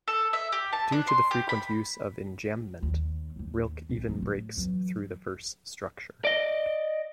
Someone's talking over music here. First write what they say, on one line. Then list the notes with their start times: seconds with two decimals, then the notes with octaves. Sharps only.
Due to the frequent use of enjambment Rilke even breaks through the verse structure.
0.08 A4
0.33 E5
0.52 G4
0.73 A5
0.92 D4
1.07 C6
1.31 G4
1.49 B5
2.83 D#2
3.36 A1 D#2
3.89 B1
4.08 D2 F#3
4.22 A2
4.57 E3 F#3
6.25 D5 D#5